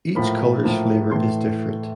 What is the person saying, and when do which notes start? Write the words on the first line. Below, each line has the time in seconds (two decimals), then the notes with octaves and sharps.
Each color's flavor is different.
0.15 A2 F3 A#3 B5
0.63 A2 F3 A#3
1.10 A2 E3 A3 C6